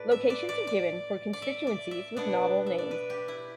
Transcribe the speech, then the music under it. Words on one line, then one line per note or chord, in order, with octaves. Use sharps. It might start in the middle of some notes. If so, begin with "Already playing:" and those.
Locations are given for constituencies with novel names.
Already playing: A2 A3 A4 B4 D5
E5
D5
D5
D5
D5
E5
D5
E5
B2 B3 D4 D5
E5
D5
B4
G4
E4